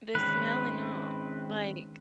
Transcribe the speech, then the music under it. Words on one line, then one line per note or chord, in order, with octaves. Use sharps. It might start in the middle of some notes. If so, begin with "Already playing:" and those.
The smell and all, like
D#3 G#3 C4 C#4 B4